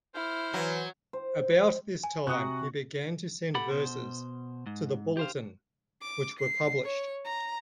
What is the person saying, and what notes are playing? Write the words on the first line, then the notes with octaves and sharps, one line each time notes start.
About this time he began to send verses to The Bulletin, which were published.
E4 C5 F6
E3 F#3
C5
G#5
C3 F#4 F#5 A#5 D#6 F#6
G4 A4 F#5 B5
B2 C5
G#2
G4 C5 F5
D6
C7
C#5
A#5